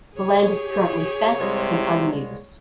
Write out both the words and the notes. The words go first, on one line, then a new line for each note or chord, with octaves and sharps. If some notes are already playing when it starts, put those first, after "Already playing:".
The land is currently fenced and unused.
G4 G#4 C#5
C2 C3 G#3